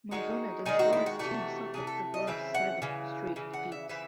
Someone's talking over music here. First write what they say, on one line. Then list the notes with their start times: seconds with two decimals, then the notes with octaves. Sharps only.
Mazzone then saw his team suffer a run of seven straight defeats.
0.11 D#3 G#3 D#4 F#4
0.66 D#3 G#3 D#4 G#4
0.79 F#4
0.93 E4
1.06 F#4
1.19 C3 E3 A3 F#4
1.74 C3 E3 A3 G#4
1.87 A4
2.14 D#5
2.27 C#3 E3 C4 E5
2.54 F#5
2.82 C#3 E3
3.36 C#3 E3
3.53 F#5
3.72 E5
3.89 C#3 E3 C4 E5